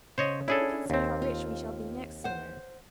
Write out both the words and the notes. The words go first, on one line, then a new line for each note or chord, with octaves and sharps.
Who can say how rich we shall be next summer?
C#3 C5 C#5 D#5
C#4 D4 E4 G#4 A4
D#2 C4
F4
C5 F#5